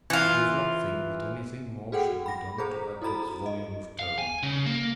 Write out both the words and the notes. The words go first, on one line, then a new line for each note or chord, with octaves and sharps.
He does not think that anything more should be done to add to its volume of tone.
E3 F4
F#4 G#4 A4 F#5 G5
B5 A#6
G#4 A4 C5 A#5
E4 F#4 A4 A#5 B5
D#5
F5
G#5
C#3
A#3